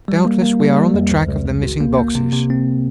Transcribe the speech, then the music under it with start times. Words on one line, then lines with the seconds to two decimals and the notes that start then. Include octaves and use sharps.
Doubtless we are on the track of the missing boxes.
0.08 G3
0.25 A#3
0.42 A#3
0.60 G3
0.77 G3
0.94 F2
1.11 C#2
1.29 C#2
1.46 C#2
1.63 G#1
1.81 A#3
1.98 A#3
2.15 C3
2.33 C3
2.50 C4